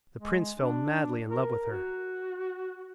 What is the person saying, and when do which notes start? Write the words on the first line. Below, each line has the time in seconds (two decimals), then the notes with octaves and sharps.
The prince fell madly in love with her.
0.19 G#3
0.59 D4
1.31 A#4
1.72 F#4